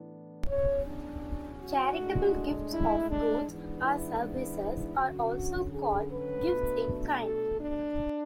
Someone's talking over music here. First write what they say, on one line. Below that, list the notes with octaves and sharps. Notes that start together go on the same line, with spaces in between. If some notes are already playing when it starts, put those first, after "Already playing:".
Charitable gifts of goods or services are also called gifts in kind.
Already playing: A2 E3 B3 D4
E2 B2 F#3 C#4 C#5
D4
F#4
A2 G#3 D4
E4
D4
G#2 E3 B3 D4
E4
E4
E4
D3 F#3 C#4 F#4
G#4
B4
B2 A3 D4
A4
D4